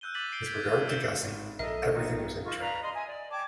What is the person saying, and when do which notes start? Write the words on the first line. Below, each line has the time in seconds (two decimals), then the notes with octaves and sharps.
With regard to Gussie, everything was in train.
0.01 E6 F#6 G6 D#7 G7
0.14 D6 F#6 A6 B6 D#7 F#7
0.32 G6 B6 C7 D7 G7
0.46 G6 G#6 B6
0.65 G#6
0.88 E6 G6 E7 G7
1.22 G#1
1.59 A#1 A4 A#4 D#5 E5
1.94 D#3 B3
2.45 D#4 F4 C#6
2.60 B4 D5 F5 A#5
2.82 D#5 C6
2.94 D#5 E5 G#5
3.07 D5
3.31 G5 A5 D6 G#6